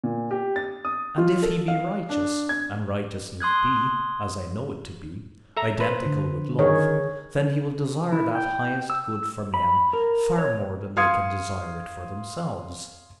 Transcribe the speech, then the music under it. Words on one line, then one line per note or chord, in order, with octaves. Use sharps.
'And if He be righteous, and righteousness be--as I know it to be--identical with love, then He will desire that highest good for men far more than they can desire it for themselves....
A#2
G4
A6
D#6
F4
A4
F5
D4
G#6
C6 D#6 F#6 G#6
A4 E5 A#5
B4 C5
D3
D#3 G#4 C#5
E4
G5
E6
B5
A#4
C#5
F5 C6 D#6 G#6 C#7